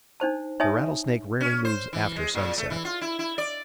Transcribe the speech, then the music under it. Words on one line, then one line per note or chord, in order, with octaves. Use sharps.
The rattlesnake rarely moves after sunset.
D4 D#4 C5 A5
D#4 C#5 E5 G#5 A5 D#6
C#4
C5
E3
G#3
A#2
A3
E3
F4
E4
E4
D5